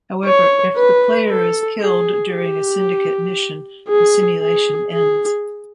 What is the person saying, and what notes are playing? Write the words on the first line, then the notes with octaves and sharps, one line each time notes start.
However, if the player is killed during a syndicate mission, the simulation ends.
C#5
B4
A4
G#4
G4
G#4
G#4
G#4